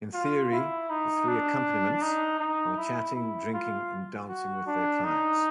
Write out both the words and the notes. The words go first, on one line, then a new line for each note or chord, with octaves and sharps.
In theory, the "three accompaniments" are chatting, drinking and dancing with their clients.
F4
E4
D#4
D4
D#4
D#4
E4
E4
F4
F#4
D4
D#4